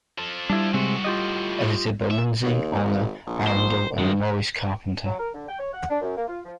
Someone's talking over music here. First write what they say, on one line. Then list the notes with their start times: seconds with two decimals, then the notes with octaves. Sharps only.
Edited by Lindsay, Honor Arundel and Maurice Carpenter.
0.18 F3 A4
0.50 G3 D4 E4
0.74 A2 C3 G#3 C4 F#4
1.04 F4 G4 D#5
2.11 E5
2.46 D#2
2.84 G#1
3.27 A#1
3.47 C5
3.99 F#2 D#3 G#3
5.05 F#3
5.19 A#4
5.34 D3
5.48 G5
5.59 C#5
5.72 F#5
5.90 D4
6.01 F#2
6.16 A#3
6.28 F4
6.45 F3